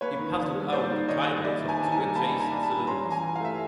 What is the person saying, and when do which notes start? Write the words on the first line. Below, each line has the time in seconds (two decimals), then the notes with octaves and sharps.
He puzzled out the titles of two adjacent cylinders.
0.01 A#3 B4 C#5
0.19 D#3
0.37 D4
0.54 G3
0.72 A#3 C5 D5
0.91 D#3
1.08 D4 C#5 D#5
1.26 G3
1.44 A#3 D5 E5
1.63 D#3
1.68 G#5 A#5
1.80 D4 A5
1.92 G#5 A#5
1.98 G3
2.15 A#3 A5 B5
2.34 D#3
2.40 G#5 A#5
2.51 D4
2.63 A5 B5
2.69 G3
2.87 C#4 A#5 C6
3.05 E3
3.11 G#5 A#5
3.23 E3
3.35 F5
3.41 A3 E5